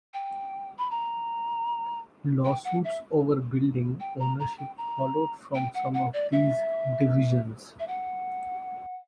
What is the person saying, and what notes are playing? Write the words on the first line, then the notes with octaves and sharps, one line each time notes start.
Lawsuits over building ownership followed from some of these divisions.
G5
B5
A#5
G5
F#5
E5
G5
A#5
A#5
G5
A#5
G5
F#5
F#5
D5
E5
E5
F#5